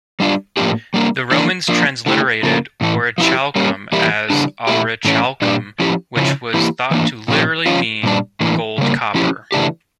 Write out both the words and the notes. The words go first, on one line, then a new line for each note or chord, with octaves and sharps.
The Romans transliterated "orichalcum" as "aurichalcum," which was thought to literally mean "gold copper".
G3 D4 F4
A2 F3 A#3 D4 G4
G3 A#3 D4
E3 A#3 D4
F3 A#3 D4
D3 A3 E4 G4
C#3 F3 A#3
A2 E3 A3
F3 C#4 E4 G4
G3 A#3 C#4
E3 G3 A#3 E4 G4
C#3 E3 G3 D4
A#2 A3 E4 G4
A2 E3 A3 C#4
A#2 G3 D4 G4
F3 C#4 E4 G4
C#3 F3 C#4 E4
E3 A#3 E4 G4
E3 A#3 D4
A#2 F3 C#4 G4
F3 C#4 F4
A#2 G3 D4
A2 E3 A#3 D4
C#3 G3 A#3
F3 C#4 E4 G4
C#3 E3 A3 D4 G4